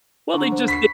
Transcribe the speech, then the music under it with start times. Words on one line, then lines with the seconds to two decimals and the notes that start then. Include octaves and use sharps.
Well, they just they
0.34 D3 A#5 C#6
0.52 C5
0.68 B5 C#6 B6 C7